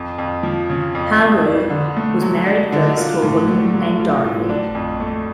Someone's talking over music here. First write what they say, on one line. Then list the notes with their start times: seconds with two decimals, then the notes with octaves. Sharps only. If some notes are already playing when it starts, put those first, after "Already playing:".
Howgill was married first to a woman named Dorothy.
Already playing: F2
0.18 F2
0.43 F3
0.70 C#3
0.95 F2
1.19 F2
1.45 D4
1.70 D3
1.97 A3
2.22 F#3
2.46 D4
2.72 D3
2.97 F4
3.22 A2
3.48 A3
3.73 F#3
4.00 F4
4.25 A2
4.49 D4
4.75 F2
5.00 A3